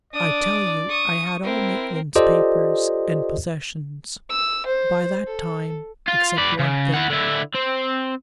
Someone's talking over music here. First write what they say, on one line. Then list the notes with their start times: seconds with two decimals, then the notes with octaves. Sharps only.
I tell you I had all Maitland's papers and possessions, by that time--except one thing.
0.13 D4 D5 D#6
0.89 C#6 D#6
1.43 C4 E4 A#4
2.15 F4 G4 A4 C5 D5 D#5
4.30 E6
4.66 C5
5.27 A4
6.08 F4
6.38 B4 D5
6.59 C#3
6.94 E4 F#5
7.10 D3 E4
7.54 C4